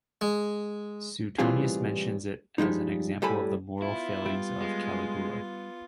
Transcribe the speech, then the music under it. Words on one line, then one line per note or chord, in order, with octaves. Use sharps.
Suetonius mentions it as an example of the moral failings of Caligula.
G#3
A2 C3 E3 G3 F4 G#4
F3 G3 G#3 D#4
A2 G3 A4 G#5 B5
B3 E4 F4
G3
G#3